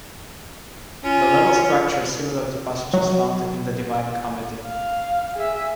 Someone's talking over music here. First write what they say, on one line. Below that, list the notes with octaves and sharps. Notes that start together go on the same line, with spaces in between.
The level structure is similar to passages found in the Divine Comedy.
C#4 F4
F#3
F5
G#4 E5